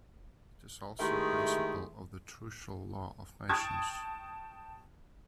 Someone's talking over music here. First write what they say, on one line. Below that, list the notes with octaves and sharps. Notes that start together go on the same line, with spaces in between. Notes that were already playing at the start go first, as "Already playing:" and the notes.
It is also a principle of the trucial law of nations.
D#3 G#3 A3 E4 G4 G#4
G5 A5 C#6 D#6 G#6 A6